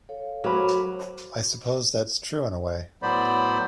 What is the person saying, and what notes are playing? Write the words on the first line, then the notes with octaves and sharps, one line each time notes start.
I suppose that's true in a way.
A4 C#5 F5
F#3 F#4 A#4 C5 C#5 B5 D6
A2 F#3 B3 C5 D5 B5